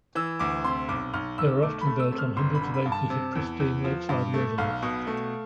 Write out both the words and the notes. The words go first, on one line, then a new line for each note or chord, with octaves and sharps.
They were often built on hundreds of acres of pristine lakeside wilderness.
E3 E6
D2 D6
C3 C6
B1 D6
B1 F6
B1 E6
A3 D6
B5
A3
E6
C3
F6
G1 C6
B5
D3
B5
G2
A5
C3
E2
E2
F3
G2
A3
B1 F5
B2
A3